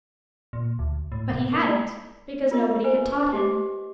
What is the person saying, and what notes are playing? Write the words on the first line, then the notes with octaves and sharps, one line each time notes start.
But he hadn't, because nobody had taught him.
A#2
D2
A2
C3
A#3
F4 A#4 D#5
B4 C5 G#5
G4 D#5 D6